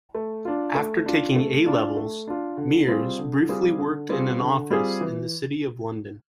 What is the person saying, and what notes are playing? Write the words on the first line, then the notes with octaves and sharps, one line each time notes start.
After taking A-levels, Mears briefly worked in an office in the City of London.
A3
D4 F4
A3
D4 F4
A3
D4 F4
A3
D4 F4
D3
G3 C4 F4 G#4
D3
G3 C4 F4 G#4
D3
G3 C4 F4 G#4
D3
G3 C4 F4 G#4
E3